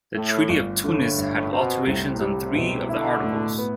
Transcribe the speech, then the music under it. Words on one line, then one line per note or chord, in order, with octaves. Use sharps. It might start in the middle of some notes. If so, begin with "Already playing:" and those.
The Treaty of Tunis had alterations on three of the articles.
A2 A3
G1
A2 D3
G2
B2 C4
C2 A2 C3
A2 C3 G3
B2
B2 D3 E4
A2
B3